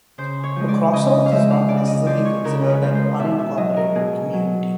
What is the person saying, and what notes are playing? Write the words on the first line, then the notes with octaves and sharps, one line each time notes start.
A crossroads is not necessarily considered an unincorporated "community".
C#3 C5
C#5
F3 G#3
D5
C#3 D#5
F5
F3 G#3 E5
F5
C#3 D5
D#5
F3 G#3 D5
C#5
C#3 A#4
B4
F3 G#3
C5
B2 E5
E5
F#3 D#5
A#4
B2 G#4
F#3